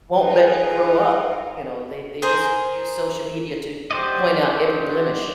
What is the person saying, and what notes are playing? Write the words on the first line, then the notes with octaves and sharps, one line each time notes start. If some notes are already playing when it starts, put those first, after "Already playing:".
won't let you grow up, you know? They they just use social media to point out every blemish.
D#4 F4 G#4 A#4 B4
G#4 A#4 C5
F#3 G4 C5 D5 D#5